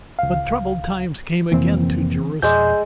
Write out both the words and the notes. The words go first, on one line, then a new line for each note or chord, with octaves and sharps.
But troubled times came again to Jerusalem.
C#2 F5
F2 C3 E3 A#3 C4
F2 B2 G#3 D5 E6 G6